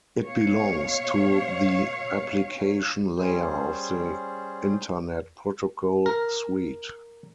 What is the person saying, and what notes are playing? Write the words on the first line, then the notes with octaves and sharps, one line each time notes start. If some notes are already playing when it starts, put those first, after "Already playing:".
It belongs to the application layer of the Internet protocol suite.
B2 C#5 F5
G3 C#4 G#4 C5
A#4